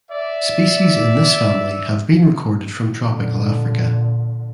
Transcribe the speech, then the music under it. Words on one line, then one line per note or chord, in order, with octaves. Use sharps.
Species in this family have been recorded from Tropical Africa.
D5 E5
A#2 D3